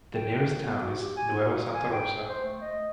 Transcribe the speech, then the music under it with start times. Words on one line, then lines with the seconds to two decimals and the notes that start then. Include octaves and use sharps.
The nearest town is Nueva Santa Rosa.
0.15 G5
0.63 B3
0.81 F#4
1.00 G4
1.17 G#5
1.43 F#4
1.75 G#5
1.92 G5
2.29 C5
2.45 A3
2.62 D#5